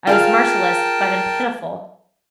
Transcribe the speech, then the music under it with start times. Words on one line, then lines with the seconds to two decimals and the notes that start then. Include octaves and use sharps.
I was merciless, but am pitiful.
0.07 F4 G#4 A#4 F5 G5 A5